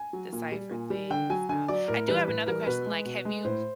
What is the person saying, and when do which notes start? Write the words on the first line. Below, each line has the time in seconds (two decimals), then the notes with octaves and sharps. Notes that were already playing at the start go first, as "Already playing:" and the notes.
decipher things now, I do have another question, like, have you
Already playing: G#5
0.13 F#3
0.32 A#2
0.52 G3
0.71 A#2
0.90 G3
1.10 D3 G5
1.30 F#3 G#5
1.49 D3 G#5
1.68 F#3 D5
1.88 A2 A#4
2.08 E3 G3 B4
2.27 A2 B4
2.46 E3 G3 A#4
2.66 B2 B4
2.86 G#3
3.05 B2
3.25 G#3
3.45 A2 C5